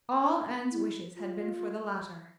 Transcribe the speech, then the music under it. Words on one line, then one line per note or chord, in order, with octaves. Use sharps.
All Anne's wishes had been for the latter.
C#4
D4
E4
F4